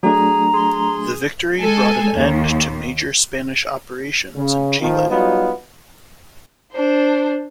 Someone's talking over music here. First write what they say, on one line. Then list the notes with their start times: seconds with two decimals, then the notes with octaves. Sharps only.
The victory bought an end to major Spanish operations in Chile.
0.03 F#3 A3 D4 G#4 A#5
0.54 G#4 C6
1.59 G#3 A4 G#5
2.14 D#2
4.35 C#3
4.80 A1 D#3 F3
5.09 F#3 G3 B3 D#4 F4
6.72 D4 C5